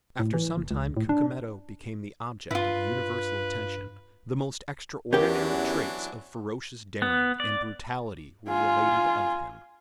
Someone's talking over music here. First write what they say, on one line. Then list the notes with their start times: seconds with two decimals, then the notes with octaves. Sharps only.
After some time Cucumetto became the object of universal attention; the most extraordinary traits of ferocious daring and brutality were related of him.
0.19 A2
0.34 E3
0.58 F#1
0.71 C#2
0.97 A2
1.09 D4
2.51 G2 E4 F4 B4
5.13 E2 E3 F#3 C#4 D4 G4 A#4
7.02 B3
7.40 D5
8.48 F4 G#5